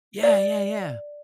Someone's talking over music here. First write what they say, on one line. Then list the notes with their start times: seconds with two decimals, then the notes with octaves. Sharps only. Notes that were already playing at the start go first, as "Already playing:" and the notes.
Yeah, yeah, yeah.
0.23 D5